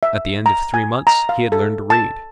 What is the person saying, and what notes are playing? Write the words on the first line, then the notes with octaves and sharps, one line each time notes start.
At the end of three months he had learned to read.
E5
A#5
G#5
A#5
F5
A4
A5